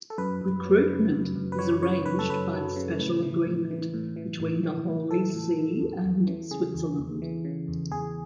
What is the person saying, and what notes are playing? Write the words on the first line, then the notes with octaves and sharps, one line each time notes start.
Recruitment is arranged by a special agreement between the Holy See and Switzerland.
A4
F#2 B4
F#2
F#3
C#3
F#2
F#2
B4
F#3 C#5
C#3 C#5
F#2 B4
A4
F#2 B4
F#3
C#3
A2
E3
A2
E3
A2
E3
A2
E3
A2
E3 A4
A2
E3
E2
E2
E3
C#3 G#4
E2
E2
E3
C#3
E2
E2 G#4